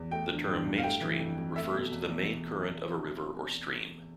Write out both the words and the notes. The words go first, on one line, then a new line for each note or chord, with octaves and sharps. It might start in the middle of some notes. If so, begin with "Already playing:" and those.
The term "mainstream" refers to the main current of a river or stream.
Already playing: E2
A3 G5
D3
G2
G2
F5
A3 G5
E3
F2
F2
A3 E5
B2
E2
E2